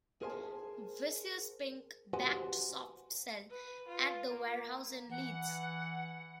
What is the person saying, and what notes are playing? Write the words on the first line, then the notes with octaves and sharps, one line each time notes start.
Vicious Pink backed Soft Cell at The Warehouse in Leeds.
G#4 A#4 C5 D#5 G#5 A5
F#4 G4 B4 C5 F#5 G#5
B4
F4
A#3
E3 F#5